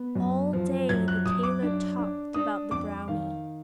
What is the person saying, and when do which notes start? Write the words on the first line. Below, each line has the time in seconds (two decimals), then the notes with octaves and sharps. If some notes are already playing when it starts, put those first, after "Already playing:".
All day the tailor talked about the brownie.
Already playing: B3
0.15 F#2
0.53 F3
0.89 F#2 G#6
1.08 F#6
1.26 F#2 D#6
1.43 D6
1.62 D4
1.98 D4
2.34 D4 D#6
2.71 F2 D6
3.08 D#3 F5